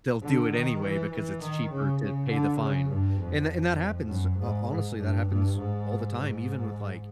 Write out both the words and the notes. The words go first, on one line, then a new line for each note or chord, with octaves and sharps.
They'll do it anyway because it's cheaper to pay the fine, and th and that happens. Ho honestly, that happens all the time even with, like,
D3
D#3
E3
E3
D#3
C#3
C#3
D3
C#3
G2
F2
F#2
G#2
G#2
G2
G2
G#2
G#2